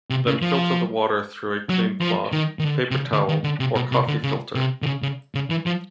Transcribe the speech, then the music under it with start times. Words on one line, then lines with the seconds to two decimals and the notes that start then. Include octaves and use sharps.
Then filter the water through a clean cloth, paper towel, or coffee filter.
0.10 C3
0.26 C#3
0.42 F3
1.70 F#3
2.01 F3
2.32 D#3
2.59 D#3
2.64 D3
2.91 C3
2.96 C#3
3.12 D3
3.28 D#3
3.44 D3
3.60 C3
3.75 B2
3.92 C3
4.08 D3
4.23 C#3
4.55 C3
4.82 D3
4.86 C#3
5.02 C#3
5.35 C#3
5.50 E3
5.66 F3